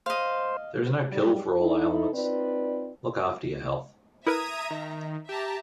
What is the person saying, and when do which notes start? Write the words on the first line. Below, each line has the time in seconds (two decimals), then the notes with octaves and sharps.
There is no pill for all ailments, look after your health.
0.06 C5 D#5 F5
1.10 F2 G#2 F#3 G3
1.60 D#4 E4 A4
2.13 C4 D#4 F4 B4 D5
4.27 E4 A#4 B4 E5 A#5 D#6 G#6 D#7
4.71 D#3
5.29 G4 E5 A5 A#5